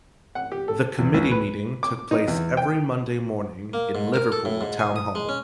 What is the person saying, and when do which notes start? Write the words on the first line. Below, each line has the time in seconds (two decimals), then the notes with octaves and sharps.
The Committee meeting took place every Monday morning in Liverpool Town Hall.
0.35 F#5
0.52 G4
0.68 A4
0.99 E2
1.14 C#2
1.31 B4
1.83 D6
2.11 D#4
2.28 E2
2.57 G5
3.73 A#3
3.95 G#2
4.14 A#4
4.32 A4
4.45 A2
4.61 G#2
4.79 G#5
4.96 D#6
5.15 G#3
5.29 C#4